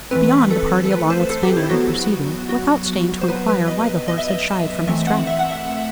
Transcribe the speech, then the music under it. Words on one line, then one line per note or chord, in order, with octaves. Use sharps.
Beyond the party along with Spangler had proceeded--without staying to inquire why the horse had shied from his track.
E3 A3 C4 B4
A4
A4
B4
C5
A4
G4
E4
F#3 B3 F#4
F#4
C5
F#3 B3 B4
B4
D#5
D#5
E5
D#5
E3 A3 C4 E5
F#5
E5
F#5
E5